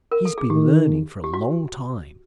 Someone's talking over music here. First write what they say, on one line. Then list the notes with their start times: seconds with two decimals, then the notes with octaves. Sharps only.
"He's been learning for a long time."
0.12 A#4
0.25 A4
0.38 G#4
0.50 D#3 G4
1.24 G4
1.34 F#4